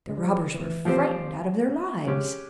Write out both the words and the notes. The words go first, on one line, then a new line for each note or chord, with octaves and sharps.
The robbers were frightened out of their lives.
G#3
G3
F3
E3
F3 C4 G4 C5
C#3 G#3 C#4 G4